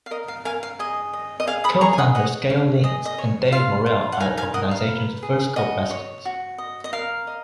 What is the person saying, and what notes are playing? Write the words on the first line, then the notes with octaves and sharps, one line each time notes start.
Co-founders Gayle Lynds and David Morrell are the organization's first co-presidents.
F5
A#4 D#5
F5
A#4 F5 G#5
F5
G#4 D#5
D#5
D#5
G#4 F5
B5 D#6
G#4 A#5 C#6
G#5
D#5 F#5
C#5 D#5 F#5
C#5 F5
G#4 D#5
D#5
C#5
F4 F5
F4
F#5
D#4 F5 G#5
F5 G#5
A#4 D#5 F#5
F5
B4
G#4
F#4 D#5
C#5
F#4
D#5
D#5
A#4 F5
D#5